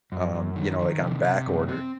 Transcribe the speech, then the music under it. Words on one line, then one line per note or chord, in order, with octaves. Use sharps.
um, you know, like, on back order.
F#2
F#2
D#3
D#3
C3
C3
F#2
C4